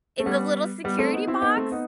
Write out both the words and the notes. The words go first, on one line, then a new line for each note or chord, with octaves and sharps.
In the little security box?
A3
G3 B3
G3 B3
A3 C4
B3 D#4
C4 E4
B3 D#4
A3 C4
B3 D#4